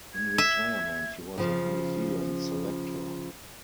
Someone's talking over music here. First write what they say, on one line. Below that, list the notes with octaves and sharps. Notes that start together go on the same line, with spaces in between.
In retirement, he was a New Zealand selector.
G#6
E5
C#3 F3